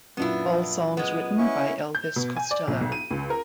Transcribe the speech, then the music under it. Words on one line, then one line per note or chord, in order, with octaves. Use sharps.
All songs written by Elvis Costello.
F#2 A#2 B3 D4 E4
G#3 B3
C#4 E4 C#6
G6
B2
G#5
D5
A#1
B1
D#7
C#2
A#4